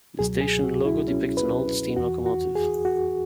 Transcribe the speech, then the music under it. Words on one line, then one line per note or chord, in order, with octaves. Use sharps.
The station logo depicts an old steam locomotive.
C#2 B2 F#3 G#4
G#4
F#4
E4
C#4
B4
E2 E3 F#4
F#4
G#4
F#4